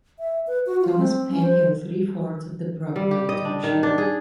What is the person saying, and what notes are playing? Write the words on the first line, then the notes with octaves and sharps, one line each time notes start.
Thomas Penn held three-fourths of the proprietorship.
E5
B4
F#4
F4
C4
C#4
C5
G3
G4
D#5
D4
D#3
D4
G#4